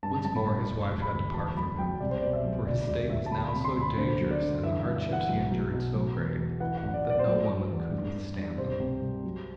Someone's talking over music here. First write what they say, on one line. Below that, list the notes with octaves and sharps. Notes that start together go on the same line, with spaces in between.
Once more his wife had to part from him, for his state was now so dangerous and the hardships he endured so great that no woman could withstand them.
G2 A5
G1 A5
B5
G2
E1
E1
B5
D2
E2 A5
F#3 B5
F#3 G5
C2 D5
C5
B2 D5
E5
F#3
D2 D5
E1 D5
E1 E5
A5
D2 B5
B5
C3
C6
D2
B5
D3 C5
F#3
D5
D3
E3 E5
G2 E5
E5
E3
F#5
B1
F#3
B2
F#3
E2
E2
E3 F#5
F#5
A1
D5
E3
D5
C5
F#3 D5
F#3
E2
G2
G2
G2
C2 C5
C3
C2
F#3